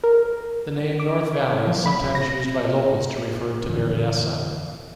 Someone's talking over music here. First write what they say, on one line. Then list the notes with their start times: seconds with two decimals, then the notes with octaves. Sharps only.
The name North Valley is sometimes used by locals to refer to Berryessa.
0.04 A#4
1.00 D6
1.67 F3
1.86 B5
2.15 A#6
3.69 F2 D3 E3